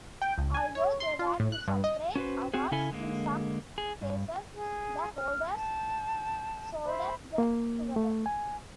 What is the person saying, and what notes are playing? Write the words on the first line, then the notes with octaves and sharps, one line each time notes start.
Although they were two separate awards in some cases the holders soldered them together.
G5
C#2
G#5
C#5
C6
F4
A2
F#6
G2
D#5
C#4 F#4 B4 C5
C4 F#4 G#4
C#3 C#4 E4 A4 G#5
D3 G#3 A#3
G#4
G2
G#4
F6
G5 A5
C5 E5 B5
A#3
A3
G#5